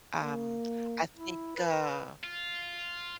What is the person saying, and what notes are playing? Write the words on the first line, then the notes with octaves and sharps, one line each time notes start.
Um, I think, uh
A#3
E4
B4
F4